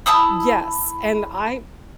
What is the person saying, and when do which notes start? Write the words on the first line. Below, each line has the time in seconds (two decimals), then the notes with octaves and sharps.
Yes, and I
0.06 E4 A5 D#6 E6